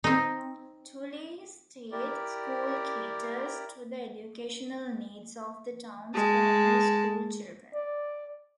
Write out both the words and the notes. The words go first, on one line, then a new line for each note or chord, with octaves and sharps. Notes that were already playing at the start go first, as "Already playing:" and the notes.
Tully State School caters to the educational needs of the town's primary school children.
C4 D#4
E4 G4 A#4 D5
G#3 A5
D5